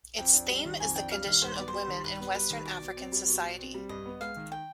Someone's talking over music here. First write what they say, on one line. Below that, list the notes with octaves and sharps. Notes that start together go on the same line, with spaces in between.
Its theme is the condition of women in Western African society.
F2 G5
D4
G3
D#3
F2 G#5
D4 G5
G3 F5
D#3 F5
G2 C5
B3 D5
C5
G3
D#3
G2 B4
B3
G3 B4
D#3
B2 D5
B2
C4
G3
B2
B2
C4
G3
G2 D#5
B3
G#3 F5
D#3
G5